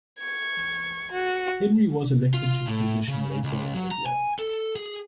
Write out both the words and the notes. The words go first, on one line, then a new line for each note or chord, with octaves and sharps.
Henry was elected to the position later in the year.
C#6 G#6
F#4
F4
A2
C#3
C#2
F#3
A#5
G#5
A4
G#4